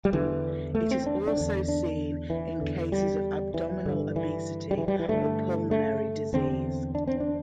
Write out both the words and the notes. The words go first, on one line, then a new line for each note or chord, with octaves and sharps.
It is also seen in cases of abdominal obesity or pulmonary disease.
G3
E2 D3 E3
A3
C4
D4
D4
E2 D3
D4
E3
E2 D3
G3
E3
G2 D3
E3
G3
E3
G3
E3
G2 D3 A3
A3
E2 D3 C4
D4
C4
D4